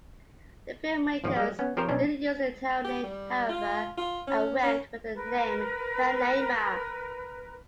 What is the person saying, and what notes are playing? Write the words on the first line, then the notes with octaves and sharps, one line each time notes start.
The filmmakers didn't use the town name however, and went with the name Canaima.
G#1 D#2 F3
G3 G#3
B3 C#4
F3 C4 G4 A#4 C5 C#5
B1 C#4 D4
G4
G3
F4
F4
C#4
C#4
A#4 B4